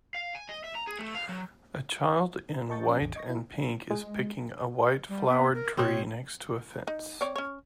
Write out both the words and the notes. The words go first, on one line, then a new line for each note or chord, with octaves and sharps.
A child in white and pink is picking a white flowered tree next to a fence.
F5
G#5
D#5
E5
A#5
G#4
A3
F5
F#3
A#4 D#5 A5 C#6 G6 A6
F3 A#3 C#4
A1 E2
D#5 C#6 A#6
E4
G#3
G3
B3
A#4
B2 C4 C#5
D#4
C4 C#5 D5
C#4 C#5